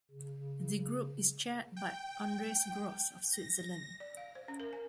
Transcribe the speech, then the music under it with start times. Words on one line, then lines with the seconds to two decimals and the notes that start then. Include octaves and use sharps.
The Group is chaired by Andreas Gross of Switzerland.
0.11 C#3
1.77 G5
3.33 A#6
4.00 D5
4.17 F5
4.35 C5
4.48 C#4
4.60 A#4
4.73 G#5